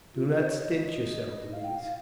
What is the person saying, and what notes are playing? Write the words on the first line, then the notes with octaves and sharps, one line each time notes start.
Do not stint yourself in these.
F4
G#4
C5
C#5
D#5
F5
G5
F5